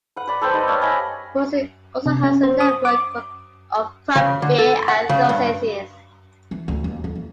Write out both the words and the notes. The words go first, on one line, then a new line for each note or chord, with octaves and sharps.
Muncie also has a network of craft beer enthusiasts.
B4 F#5
B4 D5 B5
A4 B4 C5 G5
G3 D#4 D#5
C#5 D5 F5 A5
D#5 G#5 B5
C3
C#4
C5
D#6
D6
C#3
D3
A4
F#5
C#3
G2
E3
D2
D#2
F2
E3